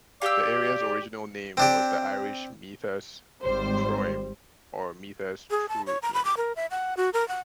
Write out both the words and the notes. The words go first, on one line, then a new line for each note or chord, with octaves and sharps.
The area's original name was the Irish "Meathas Troim" or "Meathas Truim".
G4 D5 F5 E6
C4 D4 G4
G#1 G3 C5
G#4
A5
C#5
A#5
B5
D6
A#4
E5
F#5
F#4
A#4
F#5